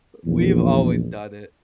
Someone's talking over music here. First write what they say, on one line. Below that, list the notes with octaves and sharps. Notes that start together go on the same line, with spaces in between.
we've always done it.
A#1 E2